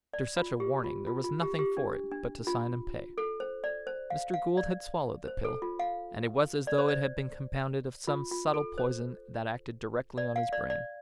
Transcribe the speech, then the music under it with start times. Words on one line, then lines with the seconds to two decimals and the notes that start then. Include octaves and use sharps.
After such a warning there was nothing for it but to sign and pay. Mr. Gould had swallowed the pill, and it was as though it had been compounded of some subtle poison that acted directly on his brain.
0.13 D5
0.37 F4
0.60 G4
0.84 F4
1.07 F4
1.24 F4
1.42 G4
1.59 G4
1.77 D4
2.12 D4
2.47 F4
3.18 A4
3.40 C5
3.64 D5
3.87 C5
4.10 F5
4.34 F5
4.57 D5
5.28 C5
5.44 A4
5.62 F4
5.79 F5
6.67 D5
6.78 C5
6.88 D5
8.07 F4
8.31 F4
8.54 A4
8.78 C5
10.18 D5
10.36 F5
10.53 D5
10.70 D5